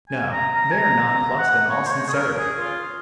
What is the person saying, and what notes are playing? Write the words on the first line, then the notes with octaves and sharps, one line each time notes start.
No, they are nonplussed in all sincerity.
G#5
A#5
A#5
G#5
A#5
A#5
F#5
C#5
C5
C#5
G#4
A#4
G#4
F4